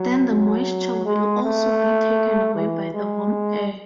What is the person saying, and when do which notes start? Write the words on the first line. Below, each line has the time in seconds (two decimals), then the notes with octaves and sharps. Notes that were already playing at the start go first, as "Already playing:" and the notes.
Then the moisture will also be taken away by the warm air.
Already playing: F#3
0.29 F#3
1.06 G#3
1.43 A3
2.55 E3
2.94 G#3